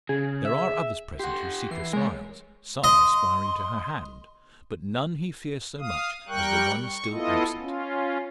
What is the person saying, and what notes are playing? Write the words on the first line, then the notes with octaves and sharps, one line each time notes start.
There are others present who seek her smiles--some aspiring to her hand--but none he fears so much as the one still absent.
C#3 G#4
E5
G4 F#5 C6
E3 C7
G#3 A#4 C#5
D#5 C6
F5 D#6
G3 A#4 G5 C#6 F#6
C#6
B3 E4 F4 A4 D#5
C#4 F4